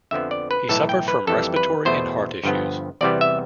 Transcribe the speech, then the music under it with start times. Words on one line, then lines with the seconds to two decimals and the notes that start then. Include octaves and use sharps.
He suffered from respiratory and heart issues.
0.11 F2 D3 F3 B3 E5
0.31 D5
0.51 B4
0.69 B1 A2 E3 A3 A4
0.89 G5
1.08 B4
1.27 F2 E3 G3 A4
1.56 B4
1.85 E2 B2 A3 C5
2.43 G1 G2 F3 B3
3.01 E2 C3 E3 G3 B3 D5
3.21 E5